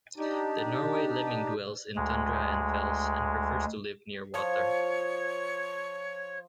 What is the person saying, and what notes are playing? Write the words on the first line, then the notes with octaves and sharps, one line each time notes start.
The Norway lemming dwells in tundra and fells, and prefers to live near water.
D4 D#4 G4
D2 G#3
F3 C#5